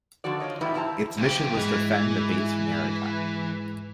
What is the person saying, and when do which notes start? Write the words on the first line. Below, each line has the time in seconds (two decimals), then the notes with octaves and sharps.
Its mission was to defend the base from air attack.
0.24 D3 D#3 F3 F#4 D5
0.40 F4 C#5 D#5
0.61 A2 E3 G3 B3 E4
0.74 F3 C4 E4 G4 A5 A#5
1.17 B1 G4
1.56 G#2 E3 G#3